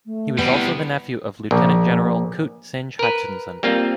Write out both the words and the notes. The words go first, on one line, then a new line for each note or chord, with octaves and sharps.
He was also the nephew of Lieutenant General Coote Synge-Hutchinson.
A3
C3 G3 B3
E4
A#1
A#4 B4
G3 A#3 C4 F4